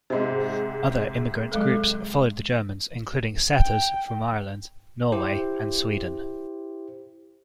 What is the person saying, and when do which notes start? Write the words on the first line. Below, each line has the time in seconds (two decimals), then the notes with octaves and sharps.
Other immigrant groups followed the Germans including setters from Ireland, Norway and Sweden.
0.10 G#2 C3 C5 D#5
1.52 F#3 G#3 A4
3.52 G5
5.12 E4 G4 C5